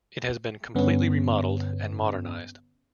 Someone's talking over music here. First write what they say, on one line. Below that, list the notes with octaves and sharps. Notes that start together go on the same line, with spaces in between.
It has been completely remodeled and modernized.
G2 D3 B3 C#4